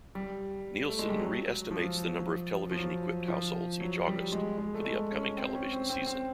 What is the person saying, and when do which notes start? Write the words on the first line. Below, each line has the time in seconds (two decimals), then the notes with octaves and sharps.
Nielsen re-estimates the number of television-equipped households each August for the upcoming television season.
0.15 G3
0.89 A3
0.99 G#3
1.09 G3
1.20 F#3
1.71 F3
2.71 F3
2.76 F#3
3.28 F3
3.80 F#3
4.07 G3
4.32 G#3
4.58 G#3
4.74 A3
4.85 G#3
5.11 C#4
5.37 C4
5.55 C#4
5.72 C4
5.89 C4
6.06 C4